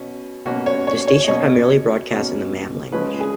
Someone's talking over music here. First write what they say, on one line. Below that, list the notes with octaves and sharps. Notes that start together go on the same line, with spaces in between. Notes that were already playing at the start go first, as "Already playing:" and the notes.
The station primarily broadcasts in the Mam language.
Already playing: B2 C#4
B2 A#3 C#4 F#4
C#5
C#5
C#5
D#5
B2 A#3 C#4 C#5
B2 A#3 C#4
C#3 F3 G#3 C#4 B4
G#4